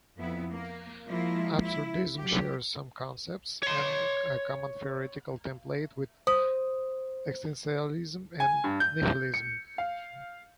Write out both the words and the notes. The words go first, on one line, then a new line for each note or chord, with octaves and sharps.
Absurdism shares some concepts, and a common theoretical template, with existentialism and nihilism.
F2 B3 E4
A#3
F3 G#3 A#3 E4 F4
E4
F#3 G4
C#5 C6
C5 D#6
G#5
G2
G6
C#7
F5